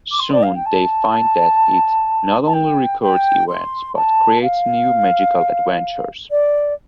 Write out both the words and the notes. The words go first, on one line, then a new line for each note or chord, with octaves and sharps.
Soon they find that it not only records events, but creates new magical adventures.
D6
C6
D5
F5
G5
A5
A5
G5
G5
C6
A5
F5
D5